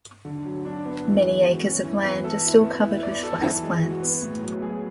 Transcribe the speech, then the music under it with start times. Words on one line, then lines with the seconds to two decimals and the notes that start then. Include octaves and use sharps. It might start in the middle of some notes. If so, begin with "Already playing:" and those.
Many acres of land are still covered with flax plants.
0.25 D3
0.45 F#3
0.65 D4
0.85 B3
1.05 E3
1.25 G#3
1.44 F#4
1.64 C#4
1.84 E3
2.04 B3
2.24 A4
2.44 E4
2.63 B3
2.83 E4
3.03 D5
3.23 A4
3.43 E3
3.63 G#3
3.83 F#4
4.03 B3
4.22 A2
4.43 F#3
4.62 G#4